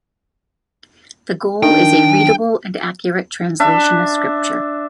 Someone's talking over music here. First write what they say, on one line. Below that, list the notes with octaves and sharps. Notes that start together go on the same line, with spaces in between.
The goal is a readable and accurate translation of Scripture.
D#3 D4 G5
D4 E5